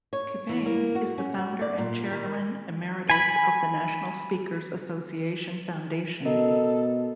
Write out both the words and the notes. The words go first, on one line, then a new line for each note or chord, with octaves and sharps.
Qubein is the Founder and Chairman Emeritus of the National Speakers Association Foundation.
C#5
E3
A#3
F#4
C#4
F#4
D5
A#2
D#3
G#5 B5
B2 A4 A#4 D#5